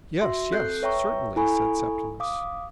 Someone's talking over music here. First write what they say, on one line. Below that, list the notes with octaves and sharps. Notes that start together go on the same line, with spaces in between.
"Yes, yes, certainly," said Septimus.
F#4 E5 C6
C4 A4 F#6 G6 C7
B4 C#5 E5 G5 A#5 C#6
E4 A4 G#5 B5 C#6
F5 D6 D#6